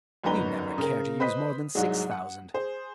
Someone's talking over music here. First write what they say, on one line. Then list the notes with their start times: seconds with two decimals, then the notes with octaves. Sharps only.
We never care to use more than six thousand.
0.24 G1 F#2 D#4 B4 A#5 G7
0.78 C#3 A#4
1.20 B4 C5 D#5 B5 D#6 B6
1.75 C2 G#2 F#3 G#3
2.11 F#5
2.54 G#4 C5